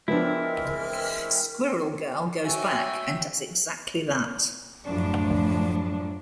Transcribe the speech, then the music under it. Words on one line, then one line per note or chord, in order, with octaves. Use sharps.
Squirrel Girl goes back and does exactly that.
E3 F3 G#3 B3 C4 D4 E4 A#4
F#4 C#5 E5 G5 G#5
F#2 A2 F3 F#3 D4